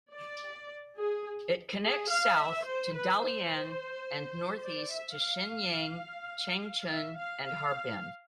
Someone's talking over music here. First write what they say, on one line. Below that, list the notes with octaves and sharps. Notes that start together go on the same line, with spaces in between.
It connects south to Dalian and north east to Shenyang, Changchun and Harbin.
D5
G#4
G#4
F5
E5
C5
B4
C5
D5
E5
F5
E5
F5
F5